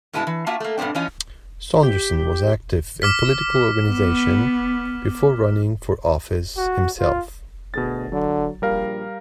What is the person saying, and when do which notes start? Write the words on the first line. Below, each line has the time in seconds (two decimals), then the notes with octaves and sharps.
Saunderson was active in political organization before running for office himself.
0.13 G2 B2 G#3 B3 E4 A5
0.27 E3
0.46 A#3 F4 F#4 E5 A5
0.60 A3 A#3
0.78 G2 A#2 B3 C4 D4
0.95 E3 F3 C#4 F4 D#5
1.83 G4
3.02 D6 F6 B6
3.86 B3
6.57 F#4
7.00 F4
7.74 D2 B2 G#4 A6
8.12 D3 F#3
8.62 A#1 G3 A#4 F5